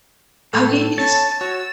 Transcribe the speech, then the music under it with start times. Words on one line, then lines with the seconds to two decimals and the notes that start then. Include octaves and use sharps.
Oh, yes.
0.53 A2 A4
0.98 C#5 A5 A6
1.41 F#4 C#5 E6